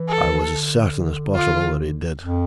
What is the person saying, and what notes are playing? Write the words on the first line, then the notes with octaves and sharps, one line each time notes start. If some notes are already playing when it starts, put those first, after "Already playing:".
I was as certain as possible that he did.
Already playing: E3
A4
D3
F4
F2